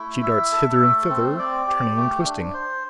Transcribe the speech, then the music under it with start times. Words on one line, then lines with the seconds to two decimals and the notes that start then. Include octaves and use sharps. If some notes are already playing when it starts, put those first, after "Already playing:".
She darts hither and thither, turning and twisting.
Already playing: A3 E4
0.23 E5
0.52 A4
0.81 A3
1.10 C4
1.39 D5
1.67 G4
1.96 A3
2.25 D4
2.54 C5